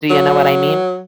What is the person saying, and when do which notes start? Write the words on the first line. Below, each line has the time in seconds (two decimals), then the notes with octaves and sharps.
Do you know what I mean?
0.10 F#3